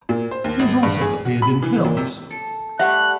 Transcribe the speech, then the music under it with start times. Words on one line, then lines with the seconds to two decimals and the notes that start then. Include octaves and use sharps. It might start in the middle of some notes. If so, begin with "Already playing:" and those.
She has also appeared in films.
0.09 A#2
0.31 C5
0.44 D#2
0.59 G#1
0.83 G2
1.01 G#4
1.25 F#4
1.42 B5
1.63 E3
1.84 A#2
1.97 C3
2.31 A4
2.79 G3 A3 E5 F#5 F#6